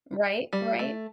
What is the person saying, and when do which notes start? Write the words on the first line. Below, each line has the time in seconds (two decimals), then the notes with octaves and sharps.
Right, right.
0.53 G3
0.79 A3